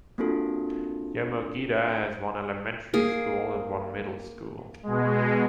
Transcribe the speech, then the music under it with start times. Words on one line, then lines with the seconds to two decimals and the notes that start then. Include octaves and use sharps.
Yomogita has one elementary school and one middle school.
0.18 A#3 C4 D4 F4 F#4 A4
2.94 A#3 G#4
4.83 B2 G#3